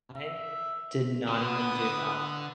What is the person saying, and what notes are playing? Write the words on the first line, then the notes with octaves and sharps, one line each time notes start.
I did not even do that.
E5
D3 B3 D#6